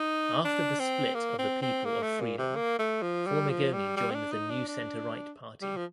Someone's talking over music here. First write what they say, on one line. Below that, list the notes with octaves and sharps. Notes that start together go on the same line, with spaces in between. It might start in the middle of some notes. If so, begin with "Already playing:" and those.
After the split of the People of Freedom, Formigoni joined the New Centre-Right party.
Already playing: D#4
D4
C4
A#3
C4
C4
A#3
A3
A#2
C3
A#3
A3
F3
G3
F3
G3
G3
C4
D4
D#4
D4
D4
G3
F3